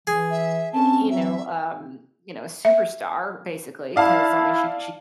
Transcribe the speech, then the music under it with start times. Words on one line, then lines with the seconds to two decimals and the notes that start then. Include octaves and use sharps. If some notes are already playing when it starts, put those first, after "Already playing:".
uh, you know, um, you know, a superstar, basically. 'Cause I mean, she she
0.07 E3 G#4
0.30 E5
0.73 C4 C#4 A5
1.10 F#3 E5
2.65 E5
3.96 E4 D5 F5 A5